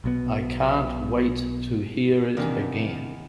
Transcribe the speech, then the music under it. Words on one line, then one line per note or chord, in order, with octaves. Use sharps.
I can’t wait to hear it again.
B1 B2 B3
E2 C3 D#3 A#3 D4